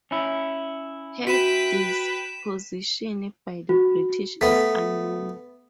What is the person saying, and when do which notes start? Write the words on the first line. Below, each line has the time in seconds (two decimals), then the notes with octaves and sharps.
Her disposition by the British is unknown.
0.11 C#4 E4
1.27 F#4 B4 G5 B6 D#7 E7
3.69 F#4
4.41 A3 B3 B6